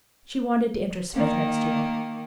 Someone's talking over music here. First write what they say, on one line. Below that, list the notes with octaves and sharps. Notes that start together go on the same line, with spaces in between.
She wanted to enter Smith next year.
D#3 A#3